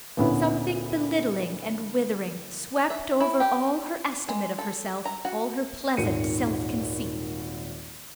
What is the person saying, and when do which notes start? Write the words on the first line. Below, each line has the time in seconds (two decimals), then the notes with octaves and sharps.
Something belittling and withering swept over all her estimate of herself, all her pleasant self-conceit.
0.17 D2 A#2 B3 C#4 E4
2.90 E5
3.20 E4
3.40 G4
4.29 G#3
4.58 A4
5.05 A#5
5.25 F#4
5.97 D#1 G#1 D#3 C#7 D#7